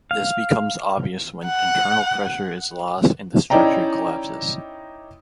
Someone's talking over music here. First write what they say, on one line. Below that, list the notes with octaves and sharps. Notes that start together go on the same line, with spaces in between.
This becomes obvious when internal pressure is lost and the structure collapses.
F5
F#5
C#4 D#4 E4 D5 G5 A#5